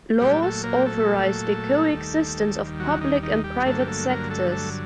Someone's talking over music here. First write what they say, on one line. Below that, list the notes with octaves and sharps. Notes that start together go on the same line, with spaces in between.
Laws authorize the coexistence of public and private sectors.
A#2 F#3 G3 A3 G4
A3 A4
A#3 A#4
G4
A3 A4
D#2 D#3 G3
F#3 F#4
D#3 D#4
D#3 D#4
G3 G4
G2 D3 F#3 A3 A#3 A4
G4
A3 A4
A#3 A#4
A3 A4
A3 A4